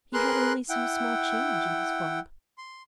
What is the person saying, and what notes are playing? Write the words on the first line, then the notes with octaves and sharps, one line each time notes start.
He had only some small change in his fob.
G#4 A#4 B4 C6 F#6
E4 F#5 G5
C6